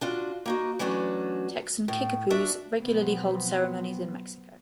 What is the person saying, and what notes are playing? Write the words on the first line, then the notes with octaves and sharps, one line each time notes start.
Texan Kickapoos regularly hold ceremonies in Mexico.
D4 F4 F#4
A#3 D#4 F#4
E3 F#3 A3 C#4 D4 F#4
A2
D4 F#4 E5
B2 F3 F#3 B3 C4